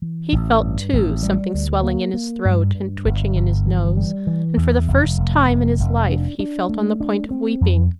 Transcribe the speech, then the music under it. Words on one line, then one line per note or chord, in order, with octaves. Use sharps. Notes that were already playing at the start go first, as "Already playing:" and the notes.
He felt, too, something swelling in his throat and twitching in his nose, and for the first time in his life he felt on the point of weeping.
E3
A1
G2
A1
G3
D2
A#3
A#3
G2
G2
G1
G1
E3
G3
E3
E2
F1
F1
F1
F1
D4
D4
A3
D4
C4
F2